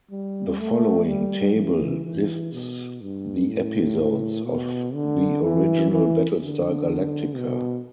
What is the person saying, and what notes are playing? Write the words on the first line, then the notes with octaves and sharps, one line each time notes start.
The following table lists the episodes of the original "Battlestar Galactica".
G3
A3
G3
E3
E3
B2
G2
A2
B2
D3
E3
E3
D3
B2